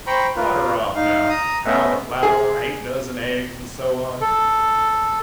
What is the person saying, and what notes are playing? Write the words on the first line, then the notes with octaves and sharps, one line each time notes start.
Start her off, now--pound of flour, eight dozen eggs, and so on.
C5 G5 A#5 B5 C#6
F4 A#4 B4
D#4 F5
A#5 D#6
A3 B3 C#4 D#5 E5
G#4
A4